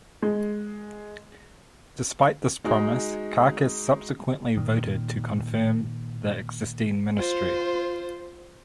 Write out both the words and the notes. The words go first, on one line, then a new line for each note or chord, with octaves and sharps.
Despite this promise, caucus subsequently voted to confirm the existing ministry.
G#3
G#3 D#4 F#4
A#2 D#3
F4 C5